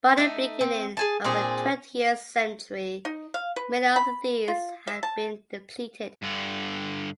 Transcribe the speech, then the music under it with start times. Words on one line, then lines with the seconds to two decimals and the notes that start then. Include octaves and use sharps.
By the beginning of the twentieth century, many of these had been depleted.
0.17 A3 D#4
0.61 C4
0.97 G#4 G#5 A5
1.24 A#2 C4 D4 G#4
3.05 D#4
3.34 F5
3.56 B4
3.96 B5
4.48 F4
4.87 E5
5.03 A5
6.22 G2 D3